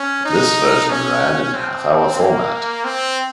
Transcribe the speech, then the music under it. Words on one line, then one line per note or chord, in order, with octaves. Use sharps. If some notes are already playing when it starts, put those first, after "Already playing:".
This version ran in half-hour format.
Already playing: C#4
D#4
C#4
C4
A#3
C4